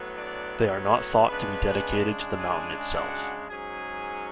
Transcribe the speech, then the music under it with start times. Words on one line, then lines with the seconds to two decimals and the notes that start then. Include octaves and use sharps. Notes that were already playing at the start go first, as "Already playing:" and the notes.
They are not thought to be dedicated to the mountain itself.
Already playing: A2 F#3 B3
0.15 D4 D5
0.72 C#4 C#5
1.26 C#3 G#3 B3 D4 B4
2.38 G#4 G#5
2.94 F#4 F#5
3.49 G#2 F#3 C#4 G#4 G#5